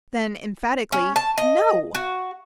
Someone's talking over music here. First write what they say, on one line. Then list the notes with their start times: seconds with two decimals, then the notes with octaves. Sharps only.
Then, emphatically, "No!"
0.92 C#4
1.16 A5
1.38 D#5
1.95 F#4